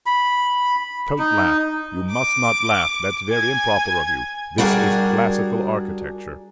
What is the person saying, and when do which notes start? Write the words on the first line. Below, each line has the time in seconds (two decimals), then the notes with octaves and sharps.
Don't laugh; you must not laugh, that's very improper of you, this is classical architecture.
0.06 B5
1.19 D#4
2.11 D6
3.30 G#5 G#6
4.58 G3 D4 F#4 G#4 A#4